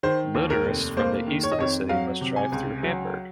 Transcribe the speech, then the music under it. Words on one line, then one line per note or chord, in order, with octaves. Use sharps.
Motorists from the east of the city must drive through Hamburg.
D#3 C5
D#2
A#4
F1
A#3 C5
D#3
C#5
D#5
F2 C#5
F#3 F5
C3
G#5
C#2
F#3